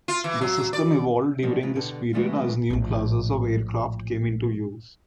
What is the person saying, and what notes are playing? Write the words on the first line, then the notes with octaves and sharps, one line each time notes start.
The system evolved during this period as new classes of aircraft came into use.
F4
E3
F#3
D5
A#2 D3 F3 F#3 D#5
E3 G#3 C#4 F4
B2 D3 G4 A4
E3 F#3 G#3 A3 D4 F4
A#1 A2